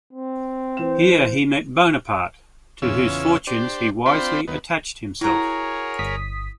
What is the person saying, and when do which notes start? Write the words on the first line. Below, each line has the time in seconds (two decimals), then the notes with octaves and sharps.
Here he met Bonaparte, to whose fortunes he wisely attached himself.
0.13 C4
0.77 E3 C5 E7
2.82 E2 C#3 C#4 F4 E6
3.47 D4 G4 C5
4.06 C4 D4 F4 C5 G5 B5
4.48 D#2 B3
5.21 E4 F#4 G#4 A#4 C#5 A#5
5.99 G1 D#6 B6